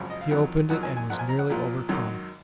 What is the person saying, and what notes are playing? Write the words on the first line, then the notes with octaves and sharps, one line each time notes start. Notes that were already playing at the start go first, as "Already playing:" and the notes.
He opened it and was nearly overcome.
Already playing: G#1 F#2 C#3 F3
D#5
F5
F2 D#3 F#3 F#5
F2 D#3 F#3 F#5
G#5
G#5
A#1 A#2 F3 F#5
G#5
A#5
F#5
A#1 A#2 F3
G#1 F#2 D#3 F#3